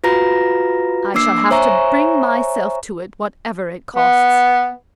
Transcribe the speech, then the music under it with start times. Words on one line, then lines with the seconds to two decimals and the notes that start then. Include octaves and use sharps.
I shall have to bring myself to it, whatever it costs.
0.04 F4 F#4 B4 A#5 A#6
1.14 A#3 D4 D6 E6 C7
1.51 C5 C#5 E5 G#5 A#5 C#6
3.96 B3